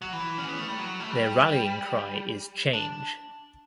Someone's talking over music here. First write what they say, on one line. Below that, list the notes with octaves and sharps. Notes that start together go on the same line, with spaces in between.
Their rallying cry is Change!
F#3
E3
C#4
B3
A3
G3
F#3
A3
G3
D4